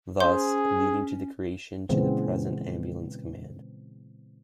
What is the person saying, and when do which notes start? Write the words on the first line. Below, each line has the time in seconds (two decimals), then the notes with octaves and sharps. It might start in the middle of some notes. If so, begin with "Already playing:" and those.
Thus, leading to the creation to the present Ambulance Command.
0.20 C#4 G#4 C5 C6 G6
1.89 A#2 C#3 E3 G#3 B3 C4